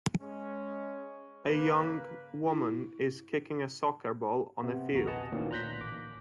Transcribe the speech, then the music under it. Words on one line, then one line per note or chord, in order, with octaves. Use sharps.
A young woman is kicking a soccer ball on a field.
G#3 C#4
C#3 A#3 B4
E4
C3 B3
A#1 D#2 F#4 A#5
B4 D#5 F#5 G#5 A5
D2 A#2 D#3 E3 A#3 C#4
A#5 C6 F#6 G6 A#6 B6
A1 D6